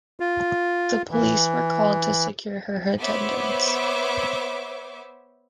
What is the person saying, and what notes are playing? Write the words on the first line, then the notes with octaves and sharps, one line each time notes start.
The police were called to secure her attendance.
F4
E3
B3 C5 C#5 E5 D6